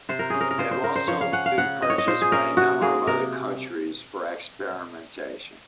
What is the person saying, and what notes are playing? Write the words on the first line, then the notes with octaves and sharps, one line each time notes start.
They have also been purchased by a number of other countries for experimentation.
C3 C5
A#4
C#4 G#4
A#4
A#4
C#3 C5
C5
C4 A#4
C5
F3 C#5
F5
C#4 F#5
F5
C#3 F#5
C4 D#5
C#5
D#5
A#2 C5
G#4
C#4 A#4
C3 F#4
A#3 G#4
C3 A#4